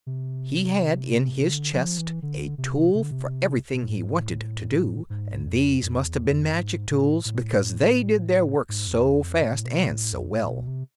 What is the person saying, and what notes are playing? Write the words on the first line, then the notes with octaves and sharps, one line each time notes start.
He had in his chest a tool for everything he wanted to do, and these must have been magic tools because they did their work so fast and so well.
C3
C3
D3
F3
E3
D3
C3
C3
D3
C3
B2
A2
G#2
A2
G#2
F2
F2
E2
F2
G#2
A2
A2
G#2
F2
E2
F2
A2
B2
A2
F2
A2
B2
C3